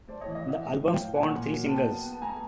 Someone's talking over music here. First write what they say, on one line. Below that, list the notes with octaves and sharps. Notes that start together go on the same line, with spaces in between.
The album spawned three singles.
A3 C5 D5
C#5 D#5
E3
D#5 F5
E3 E5 F#5
A2
A2
F5 G5
A2
A#2 F#5 G#5
A#2
F#3
B3 G5 A5
B3
B3
A5
A3 G#5 A#5